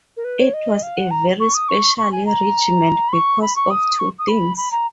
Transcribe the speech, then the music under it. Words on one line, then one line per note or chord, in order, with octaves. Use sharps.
It was a very special regiment because of two things.
A#4
B4
C#5
D#5
F5
F#5
A#5
C#6
D#6
C#6
C#6
G#5
A#5
B5
C#6
B5
C#6
D#6
C#6
D#6
B5
B5
A#5